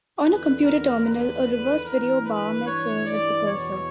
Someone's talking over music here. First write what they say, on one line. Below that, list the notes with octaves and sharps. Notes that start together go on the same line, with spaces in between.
On a computer terminal, a reverse video bar may serve as the cursor.
E2 D3 B4
A#4
B4
G2 E3 A#4
B4
C#5
D5
E2 B2 C#5